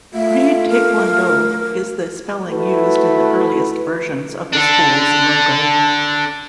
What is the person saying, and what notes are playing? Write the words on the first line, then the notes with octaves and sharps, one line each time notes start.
"Rhee Taekwon-Do" is the spelling used in the earliest versions of the school's logo.
A3 F4 E5
A#4
A3 E4 F#4 B4
D4 A4